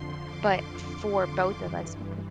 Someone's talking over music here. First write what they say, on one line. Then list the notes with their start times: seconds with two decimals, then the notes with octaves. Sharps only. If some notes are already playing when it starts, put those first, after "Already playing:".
but for both of us, m
Already playing: F2 D3 F3 C6
0.26 D6
0.69 C6
1.13 D6
1.56 G2 E3